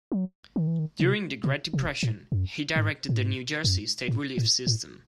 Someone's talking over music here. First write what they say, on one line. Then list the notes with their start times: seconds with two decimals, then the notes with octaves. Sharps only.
During the Great Depression, he directed the New Jersey state relief system.
0.12 F#3
0.56 D#3
0.67 E3
0.79 D#3
1.00 C3
1.44 C3
1.73 C3
2.03 A2
2.32 F#2
2.76 G#2
3.09 A2
3.20 G#2
3.64 F#2
4.08 A2
4.37 A2
4.67 A2